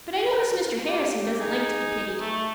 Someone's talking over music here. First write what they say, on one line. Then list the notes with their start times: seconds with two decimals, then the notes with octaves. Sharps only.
But I notice Mr. Harrison doesn't like to be pitied.
0.88 G4
1.40 D#4 G#4
2.21 A3